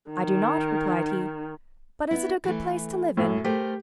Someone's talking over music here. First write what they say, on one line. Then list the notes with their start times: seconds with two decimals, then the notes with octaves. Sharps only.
'I do not,' replied he, 'but is it a good place to live in?'
0.11 D#3
2.11 B3 E4
2.44 E3 A3
3.17 F#2 A2
3.44 A3 G4 A#4 C5